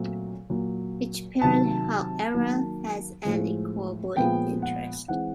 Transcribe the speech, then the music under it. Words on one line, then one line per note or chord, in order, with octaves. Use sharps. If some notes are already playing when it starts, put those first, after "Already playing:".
Each parent, however, has an equal voting interest.
Already playing: A#2 F#3 A3 C4
A#2 F#3 A#3
C3 D#3 F#3 A5
D#3 F#3 A#3
A2 F3 G#3
A#2 F3 G#3 B3 G5
F#5
E3 G#3 C4 F#5